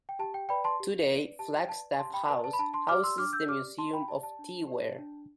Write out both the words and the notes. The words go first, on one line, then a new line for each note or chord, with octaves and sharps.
Today Flagstaff House houses the Museum of Tea Ware.
G5
G4 A5
G5
B4 D5 G5 B5
A5 C6
G4
B4 D5
G4 A5
G5
B4 D5 A5
G4 A5 C6
G5 B5
B4 D5 A5
A5
B5
D4 A5
A5 C6
G4 D5 D6 F6
C6 E6
D4 D6 F6
E6 G6
G4 D5 D6 F6
D4 A5 C6
G5 B5
G4 D5 A5
A5
D4
G4 D5
D4